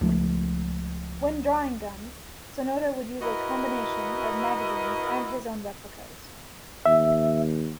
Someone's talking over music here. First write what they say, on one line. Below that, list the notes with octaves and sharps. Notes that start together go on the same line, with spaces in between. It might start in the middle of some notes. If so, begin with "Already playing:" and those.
When drawing guns, Sonoda would use a combination of magazines and his own replicas.
C#2 F3 A3
E4 F#4 A#4 B4 D#5
D#2 E5